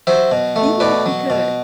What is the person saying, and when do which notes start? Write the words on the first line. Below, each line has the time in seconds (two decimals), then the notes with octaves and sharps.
Even if you could,
0.07 F#3 C5 E5
0.32 B2
0.56 A3
0.80 B2 B4 D5
1.06 F#3
1.30 B2